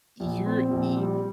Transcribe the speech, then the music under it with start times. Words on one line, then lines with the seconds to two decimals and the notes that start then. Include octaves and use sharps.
you're y
0.20 A#1
0.46 C4
0.71 A#1
0.96 G3